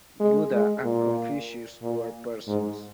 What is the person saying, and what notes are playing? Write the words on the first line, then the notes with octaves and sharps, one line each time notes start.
Buddha and Confucius were persons.
G#3
G#3
A#2
A#2
G#2